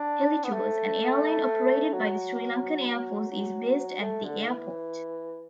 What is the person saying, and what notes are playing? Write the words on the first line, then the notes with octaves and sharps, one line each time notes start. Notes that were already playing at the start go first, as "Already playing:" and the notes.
Helitours, an airline operated by the Sri Lankan Airforce is based at the airport.
Already playing: D4
B3
A3
F#3
F#3
A3
D3
E3